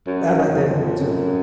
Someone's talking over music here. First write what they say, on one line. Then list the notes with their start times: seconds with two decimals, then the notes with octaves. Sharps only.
I like that movie too,
0.07 F#2
0.46 F#2
0.54 F2
1.00 F#2